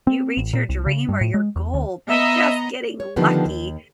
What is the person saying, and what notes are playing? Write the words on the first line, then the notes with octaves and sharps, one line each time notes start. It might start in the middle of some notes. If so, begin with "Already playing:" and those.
you reach your dream or your goal by just getting lucky,
C4
A1
A#2
C2
C#3
G2
A2
G#3
E2
D2
B3 D#5 E5 A#5
C#5
D3 D#3 F3 G3 A3 B3
D#2